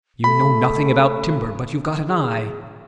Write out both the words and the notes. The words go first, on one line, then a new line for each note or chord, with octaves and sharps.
You know nothing about timber, but you've got an eye.
A3 B5
G#4